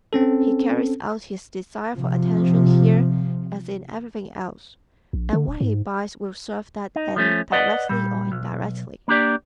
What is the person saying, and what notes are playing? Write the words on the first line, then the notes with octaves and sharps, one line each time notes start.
He carries out his desire for attention here as in everything else and what he buys will serve that end directly or indirectly.
C4 C#4 A4
C3 F3
A#1
D3
D1
G#2
D#4
F3 A3 C#4
B4 D5 D#5 F#5
A#2 G3
B1
A#3 D4 G4 D5